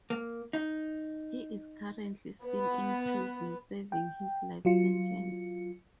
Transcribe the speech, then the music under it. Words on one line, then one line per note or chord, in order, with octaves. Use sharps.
He is currently still in prison serving his life sentence.
A#3
D#4
B3
G5
F#3 F4 C#7